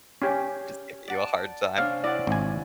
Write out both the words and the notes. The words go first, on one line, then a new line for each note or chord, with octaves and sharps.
just give you a hard time.
C#4 G4
D5 F#5 A5
C3 C#4 D4 F5
E4 D5 F#5
G#1 G#5